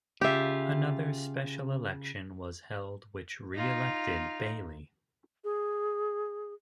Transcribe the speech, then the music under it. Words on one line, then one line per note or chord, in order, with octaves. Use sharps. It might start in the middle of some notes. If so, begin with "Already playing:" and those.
Another special election was held which re-elected Bailey.
C#3 F4 G4 E5
D#4 F4
G#4